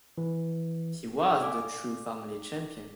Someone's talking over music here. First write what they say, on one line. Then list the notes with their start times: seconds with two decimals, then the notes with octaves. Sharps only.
He was the true family champion.
0.18 E3
1.42 A4 D5 F5 G#5 D6